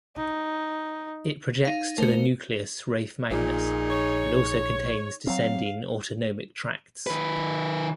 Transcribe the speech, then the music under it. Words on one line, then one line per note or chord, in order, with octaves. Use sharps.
It projects to the nucleus raphe magnus, and also contains descending autonomic tracts.
D#4
D#4 F5
A3 A#4 C5 C#7
A#1 A#2 D#4 G#4
C#5
F#3 C4 F5
D#3 B4